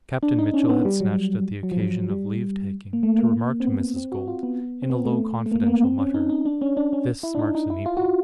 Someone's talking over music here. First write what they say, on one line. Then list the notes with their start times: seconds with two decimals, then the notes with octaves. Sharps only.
Captain Mitchell had snatched at the occasion of leave-taking to remark to Mrs. Gould, in a low, confidential mutter, "This marks an epoch."
0.23 D4
0.39 D#4
0.54 C#4
0.69 B3
0.85 G3
1.01 F#3
1.63 F#3
1.72 F3
1.80 F#3
2.10 G3
2.93 A#3
3.03 A3
3.18 A#3
3.60 C4
3.65 B3
3.81 B3
3.96 C4
4.12 F#4
4.28 F4
4.43 B3
4.82 C4
4.90 B3
5.05 A3
5.46 A3
5.52 A#3
5.63 A#3
5.68 B3
5.83 C4
5.99 C#4
6.14 D#4
6.29 D#4
6.45 D4
6.61 C#4
6.77 D4
6.93 C#4
7.23 E4
7.35 D4
7.39 D#4
7.55 D#4
7.70 E4
7.86 F4
7.97 F#4